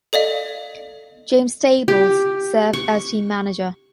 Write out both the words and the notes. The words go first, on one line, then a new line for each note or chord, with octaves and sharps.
James Stables served as team manager.
A4 D5 D#5 F5
G4
C#6